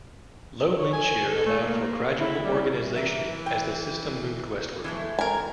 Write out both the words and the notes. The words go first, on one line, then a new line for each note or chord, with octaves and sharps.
Low wind shear allowed for gradual organization as the system moved westward.
C#5
G#5
A4
A3
A#3
E4
G3
E3 A#4 E5
G5
B1 E3 G#3 A3
G#1 A#4 G#5
A2